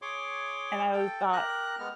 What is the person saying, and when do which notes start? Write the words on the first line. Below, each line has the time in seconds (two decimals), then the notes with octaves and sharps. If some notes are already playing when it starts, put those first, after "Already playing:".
and I w thought
0.02 G#4 C#5 C6 D6
0.93 A4 G5
1.33 G4 A#4 A#5 F#6
1.79 G#3 B3 F6